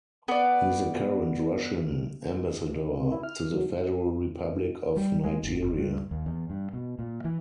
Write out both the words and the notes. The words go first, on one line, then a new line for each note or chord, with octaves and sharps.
He is the current Russian Ambassador to the Federal Republic of Nigeria.
B3 D5
C3
E4
F6
F#3
G3
G#3
G#1
G1
G2
D#2
E2
G2
B2
A#2
E3